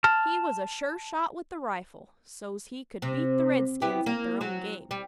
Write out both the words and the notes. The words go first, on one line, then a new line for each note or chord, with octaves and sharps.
He was a sure shot with the rifle so's he could beat the redskins at their own game.
A5 F6
C3
B3 E4 G4
A#3
F#3
G3